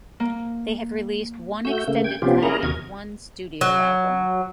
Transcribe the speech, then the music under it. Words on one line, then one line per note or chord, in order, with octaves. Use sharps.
They have released one extended play and one studio album.
A#3
A3 F#4 E6 G6
C#3 A3 A#3
G5 G#6
C3 F3 B3 C#4 F4 G4
A#3 C#4 E4 G#4 A#4 A#5
D#2 C3 F#4 A#4 D#5 G#6
F#3